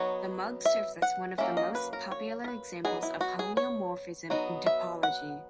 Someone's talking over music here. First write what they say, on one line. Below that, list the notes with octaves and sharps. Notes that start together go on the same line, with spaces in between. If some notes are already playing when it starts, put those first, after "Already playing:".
The mug serves as one of the most popular examples of homeomorphism in topology.
Already playing: F#3 B3 D#4 C#5
E5
F#5
F#3 A#3 C#4 E5
D#5
B4
A#4
C#5
A#4
B4
F#3 B3 D#4 G#4
E4
F#4
G#4
C#5
F#3 B3 D#4
E5
F#5